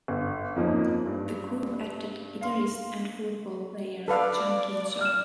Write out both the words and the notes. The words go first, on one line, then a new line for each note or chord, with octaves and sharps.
The group added guitarist and football player Chan Kinchla.
G1
F2 F3 A#3 C#4 D#4
G2
F5 C6
A4 B4 D5 F5
F6 E7